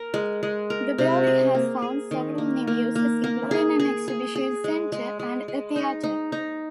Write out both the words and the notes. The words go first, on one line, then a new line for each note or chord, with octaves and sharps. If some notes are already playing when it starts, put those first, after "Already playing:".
The building has found several new uses, including an exhibition centre and a theater.
Already playing: A#4
G#3
G#3
A#4
C3
G#4
A#3
G#4
D#3
A#3
A#3
A#3
A#3
G#4
G#4
G#4
G#4
G#3
G#3
G#3
G#3
D#4
D#4
D#4